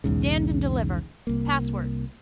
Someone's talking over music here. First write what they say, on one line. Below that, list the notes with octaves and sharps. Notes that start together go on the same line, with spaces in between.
Stand and deliver. Password.
B1 E2 G#2 C#3
C2 A#3